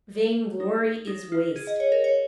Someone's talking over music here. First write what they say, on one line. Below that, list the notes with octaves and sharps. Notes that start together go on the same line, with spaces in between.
Vain-glory is waste.
D#4
D#4
F4
G#4
D#5
C#5
A#4
C#5